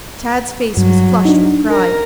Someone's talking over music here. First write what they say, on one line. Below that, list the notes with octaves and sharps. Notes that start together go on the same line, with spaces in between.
Tad's face was flushed with pride.
G2 F#3
D4 D#4
A#4